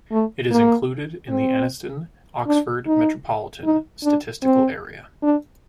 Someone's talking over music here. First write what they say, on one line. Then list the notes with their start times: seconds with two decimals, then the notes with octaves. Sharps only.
It is included in the Anniston-Oxford Metropolitan Statistical Area.
0.11 A3
0.51 A#3
1.30 C4
2.47 D4
2.87 D#4
3.64 D#4
4.04 D4
4.43 C4
5.23 D4